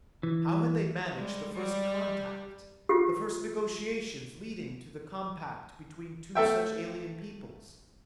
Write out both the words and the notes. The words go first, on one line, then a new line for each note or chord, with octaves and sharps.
How had they managed the first contact, the first negotiations leading to the compact between two such alien peoples?
E3
G3 G#3
G3
F4 G4
A3 A4 E5 G5